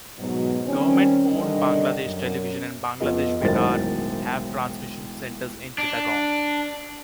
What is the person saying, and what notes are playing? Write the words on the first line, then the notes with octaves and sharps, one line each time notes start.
Government owned Bangladesh Television and Bangladesh Betar have transmission centres in Chittagong.
G#2 B2 F#3
D#3 G3 C4 C#4
G2 D3 D#3 G3 D4 D#5
F#2
F2 B3 B4 D#5
E1 A1 D#3 F#3 C5 A6
D4